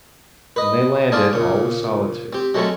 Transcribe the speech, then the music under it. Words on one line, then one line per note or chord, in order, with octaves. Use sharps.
When they landed, all was solitude.
B4 D#5
D4 G#4 D5 F5 C6
A#2 C#3
C4 G4
F#3 G#3 A3 C4 C#4